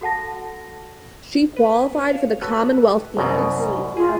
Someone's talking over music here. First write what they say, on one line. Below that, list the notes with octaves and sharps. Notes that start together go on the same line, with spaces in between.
She qualified for the Commonwealth Games.
F#4 A4 F#5 A5 A#6
B4
C#5 F5
F#4 A4 B4
C2 F#2 B2
F4 G#4